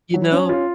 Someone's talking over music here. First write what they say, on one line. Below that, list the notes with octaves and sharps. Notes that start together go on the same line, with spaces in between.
You know
F#3
C#4
F4